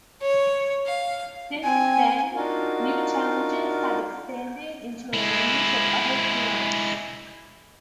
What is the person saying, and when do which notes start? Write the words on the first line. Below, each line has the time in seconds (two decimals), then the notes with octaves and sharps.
Since then, new challenges have expanded into a range of other fields.
0.22 C#5
0.87 F5
1.63 C4 G#5
2.35 D4 D#4 F4 F#4 A#4 F5
5.13 G#3 E4